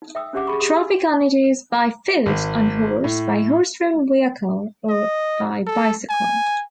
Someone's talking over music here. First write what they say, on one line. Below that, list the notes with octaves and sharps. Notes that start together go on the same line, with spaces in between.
Traffic on it is by foot, on horse, by horse-drawn vehicle, or by bicycle.
D#4
E5 G5 D#6 E6
C#4 D4 G4 E5 F#5 D6
G#4 B5 C#6
G4 C6 D#6
G#5
G#1
A2
D#5
A4
G#5